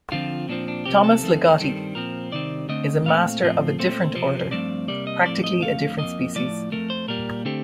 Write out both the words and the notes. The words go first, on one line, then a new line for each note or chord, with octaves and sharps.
Thomas Ligotti is a master of a different order, practically a different species.
D3 F3 C4 F4
A#2 F3 C4 D4
D4
C3 F3 C4 G4
A4
F2 D#3 A3 C4
G2 D#3 G3 C4
A#2 F3 C4 A#4
C3 D#3 G3 C4 D5
D3 A3 C4 D#5
A#2 A3 C4 F5
A2 F3 C4
A#2 A3 C4 C5
C3 F3 C4
G2 F3 A3 C4 D5
C3 G3 A#3 D5
D#5
A2 F3 C4 D5
D#5
F2 D3 A3 F5
F2 D#3 A#3 D#5
A2 F3 A3 D5
F2 D#3 A3 A#4
C5
A#2 G3 A#3 A#4
D3 A3 C4 G4